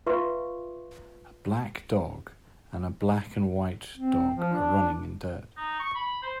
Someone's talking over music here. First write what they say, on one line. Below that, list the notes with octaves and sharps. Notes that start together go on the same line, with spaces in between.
A black dog and a black and white dog are running in dirt.
F4 B4 E5 F5 C6 C#6
C4
F3
D4
D#4
C#6
B5
C5